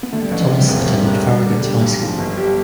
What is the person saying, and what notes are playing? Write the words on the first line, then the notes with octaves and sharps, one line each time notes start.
Thomas attended Farragut High School.
B3
D3 A3
G3
A1 F3
E3
C3 F3
G3
E1 B3
F3
C3 G3
F1
D4
D3
G3
B1
F3
G1
G3 G4